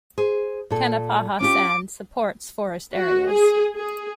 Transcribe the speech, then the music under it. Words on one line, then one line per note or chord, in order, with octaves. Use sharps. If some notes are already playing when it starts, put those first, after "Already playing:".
Kanapaha sand supports forest areas.
G#4 C5
A#2 A4
C#4 F4 G4 D6
F#4
G#4
G#4